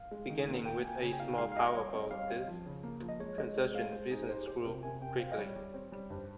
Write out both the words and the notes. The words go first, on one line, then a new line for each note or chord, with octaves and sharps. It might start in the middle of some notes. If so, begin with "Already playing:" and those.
Beginning with a small powerboat, this concession business grew quickly.
Already playing: F5
G#3
D#3
A#3
A#3 G5
A#3 G#5
C#3 G#5
G5
D#4 F5
G#3 F5
F5
G4 D#5
D#5
G3 C#5
C4 D#5
G3 F5
C4
F3
C#3
A#3
F3
D#5
G#3 C#5
G#3 D#5
G#3
G#3 F5
G#3 C5
D#4 G#4
G4 C5
G4 C5
C3 A#4
C3 G#5
C3 G5
C4 F5
D#5
G3 C#5
G3
C4
G3
G2 C5